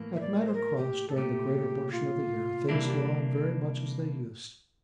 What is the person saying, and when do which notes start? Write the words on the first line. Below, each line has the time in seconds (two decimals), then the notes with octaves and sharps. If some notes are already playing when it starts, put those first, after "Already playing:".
At Manor Cross during the greater portion of the year things go on very much as they used.
Already playing: A2 E3 A#3
0.15 E5
0.20 D5
0.40 A#4
0.47 C5
0.54 A#4
0.78 G4
1.09 A4
1.16 C2 A#2 A3 G4
1.92 F4
2.69 C3 E3 G3 A#3 D4 E4
2.87 G4